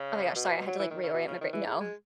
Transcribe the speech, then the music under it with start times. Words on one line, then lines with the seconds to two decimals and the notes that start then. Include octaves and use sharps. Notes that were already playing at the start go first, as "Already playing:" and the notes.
Oh, my gosh, sorry. I had to, like, reorient my br No.
Already playing: C#3
0.36 B2
0.67 F#3
0.79 E3
0.91 D#3
1.03 C#3
1.14 B2
1.28 C#3
1.41 D#3
1.53 E3
1.66 G#3
1.80 G#3